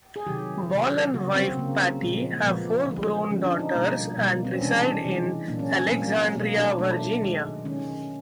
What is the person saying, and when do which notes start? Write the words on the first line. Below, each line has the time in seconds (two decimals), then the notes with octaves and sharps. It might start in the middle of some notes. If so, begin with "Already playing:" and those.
Ball and wife, Patty, have four grown daughters and reside in Alexandria, Virginia.
0.16 G#4
0.27 C3 D#3 F#3 G4
0.70 C3 D#3 F#3
1.14 C#3 F#3 A#3 F#4
1.36 C4
1.57 C#3 F#3 A#3
2.00 A#2 F3 G#3
2.33 A#3
2.44 A#2 F3 G#3 B3
2.87 D3 F3 G#3
3.31 D3 F3 G#3 C#4
3.45 D4
3.59 D#4
3.74 B2 G3 A#3
4.17 B2 G3 A#3
4.36 B3
4.45 C4
4.53 C#4
4.61 C3 E3 G#3 D4
5.05 C3 E3 G#3
5.48 A#2 F#3 A#3 D4
5.59 C#4
5.70 C4
5.91 A#2 F#3 A#3
6.35 B2 F#3 A3 A#3
6.57 D4
6.78 B2 F#3 A3 D4
7.21 D#3 G#3
7.65 D#3 G#3 C#4